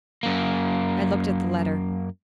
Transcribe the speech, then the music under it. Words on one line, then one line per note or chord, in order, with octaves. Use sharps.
I looked at the letter.
F#2 A#3